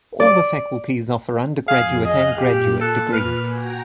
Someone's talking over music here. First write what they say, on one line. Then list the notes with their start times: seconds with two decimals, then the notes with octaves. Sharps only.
All the faculties offer undergraduate and graduate degrees.
0.20 D5
1.68 F2 G#4 F5
2.05 G#4 D#5 F5 F6 F#6
2.38 A#2 G4
2.81 A4 F#6
3.13 B4 F6
3.50 F#4 G5 G#5 A#5